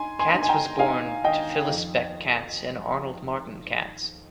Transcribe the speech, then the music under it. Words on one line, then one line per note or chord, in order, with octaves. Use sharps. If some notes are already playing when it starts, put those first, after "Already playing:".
Katz was born to Phyllis Beck Katz and Arnold Martin Katz.
Already playing: D#4 G#5 C6
G#5 C6
D#4
G#5
G5 A#5
D#4 F5 G#5
D#3 D#5 G5
F2